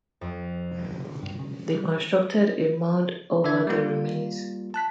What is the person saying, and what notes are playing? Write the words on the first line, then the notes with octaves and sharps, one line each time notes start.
They constructed a mound over the remains.
F2
D3
G2
C#3
G3
D3 D4 D5 E5 G#6
G3 A#3 F4
A5 F#6 B6